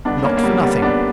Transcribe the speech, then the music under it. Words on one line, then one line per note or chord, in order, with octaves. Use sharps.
Not for nothing!
G2 D3 B3 D4
A#3 C#4
A#3
G3 B3
G2 D3 G3 B3
B3 D4